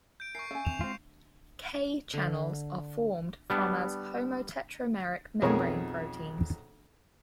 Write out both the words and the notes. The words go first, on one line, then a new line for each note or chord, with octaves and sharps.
K channels are formed from as homotetrameric membrane proteins.
G6 D7
A#4 E5 G#5 C#6 C7
C#4 E5 F5 G#5 B5
D3 C4 E7 F7
G#3 C4 F4
D3
G3 B3 D4
B1 F2 G#4 A#4 C#5